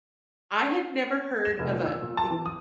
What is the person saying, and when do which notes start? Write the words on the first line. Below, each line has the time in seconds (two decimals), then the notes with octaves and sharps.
I had never heard of a big
1.45 E7
1.59 F1
1.73 A#2
1.85 E6
2.02 A#2
2.17 A5
2.31 E3
2.46 D#6